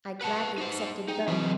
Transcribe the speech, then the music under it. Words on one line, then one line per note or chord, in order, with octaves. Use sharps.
I gladly accepted both.
B4 F#5 A5
D#4 C5
D#4 G#4 G5 D#7
E3 F#3 C4 B4 D#5